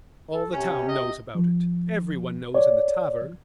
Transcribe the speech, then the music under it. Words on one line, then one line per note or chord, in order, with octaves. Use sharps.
All the town knows about it--every one knows in the tavern.
A4
C3 C#4
D#5
F3
C#5 D5